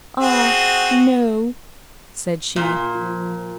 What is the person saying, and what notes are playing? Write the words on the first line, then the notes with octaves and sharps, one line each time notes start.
"Ah no," said she.
C4 F#4 G#4
A#2 F4
F3